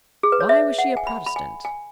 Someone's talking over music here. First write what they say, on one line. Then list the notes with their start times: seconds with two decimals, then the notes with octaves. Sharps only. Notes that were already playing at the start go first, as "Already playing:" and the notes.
Why was she a Protestant?
0.23 G#4
0.32 B4
0.40 C#5
0.49 E5
0.78 F#5
0.97 G#5
1.07 B5
1.26 B5
1.36 G#5
1.65 G#5